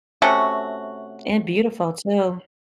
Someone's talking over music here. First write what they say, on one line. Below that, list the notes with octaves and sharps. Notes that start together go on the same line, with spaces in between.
And beautiful too.
C3 A3 C#4 F#4